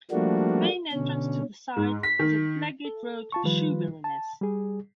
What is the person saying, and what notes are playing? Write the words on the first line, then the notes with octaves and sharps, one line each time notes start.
The main entrance to the site is at Blackgate Road, Shoeburyness.
F3 G3 A3 A#3 D4 F#4
B2 D3 C#4
G#2
B6
D#3
A4
F4 A5 C#6
D#3 F3 G3 F4 B4
A5
G3 G#4